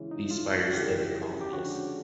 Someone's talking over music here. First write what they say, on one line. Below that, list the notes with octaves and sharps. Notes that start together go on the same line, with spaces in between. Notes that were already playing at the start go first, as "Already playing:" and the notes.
These spiders live in colonies.
Already playing: C#3 E3 G#3 C#4
D#4
F4
F#4
C#3 E3 G#3 C#4 G4
G4
D3 F3 G#3 C#4 F#4